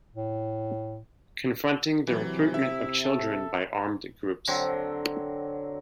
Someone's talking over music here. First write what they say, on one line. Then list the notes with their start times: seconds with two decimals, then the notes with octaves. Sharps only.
Confronting the recruitment of children by armed groups.
0.15 A2
2.07 C3 E3 F#3
2.54 E4 E5
3.04 A4
4.47 D3 F#3 C4